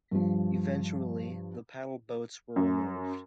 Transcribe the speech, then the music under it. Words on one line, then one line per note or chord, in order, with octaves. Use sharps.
Eventually, the paddle boats were removed.
G2 F3
F#2